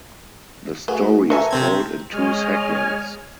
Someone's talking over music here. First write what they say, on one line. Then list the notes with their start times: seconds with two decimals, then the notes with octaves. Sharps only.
The story is told in two segments.
0.88 A3 F#4 G#4 B4
1.30 A4 B4 E5 G#5 A#5 C#6
1.51 C3 C4 G#6
2.13 G#3 C#5 D#5 G#5 F6